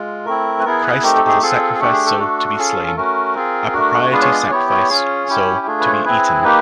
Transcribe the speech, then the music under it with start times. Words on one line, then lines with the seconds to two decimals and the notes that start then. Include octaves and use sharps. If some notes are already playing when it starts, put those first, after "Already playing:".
Christ is a sacrifice-so, to be slain; a propitiatory sacrifice-so, to be eaten.
Already playing: G#3 F4
0.26 A3 C4 E4 A#4
0.59 B4
0.65 B3 E4 G#4 A#4
0.83 B4
1.03 A3 C4 D#4 G4 A#4
1.16 A4
1.28 G#4
1.42 C4 F4 G#4 A4
1.75 G#4
1.80 A3 D4 G4 A4
1.93 G#4
2.06 A4
2.19 A3 D4 F#4
2.58 C#4 F4 G#4
2.79 G#4
2.87 A4
2.96 A3 C#4 F#4 A#4
3.35 C4 F4 G#4
3.73 A3 D4 F#4
4.12 G#3 B3 D4 F4 G#4 B4
4.22 C#5
4.32 D#5
4.42 D5
4.51 B3 E4 G4 C#5
4.70 C#5
4.89 C#4 F4 G#4
5.28 C#4 E4 G4
5.66 A3 D4 F4 G#4
5.80 B4
5.86 C#5
5.92 C5
6.05 C4 E4 G#4 B4
6.44 A#3 D#4 G4 B4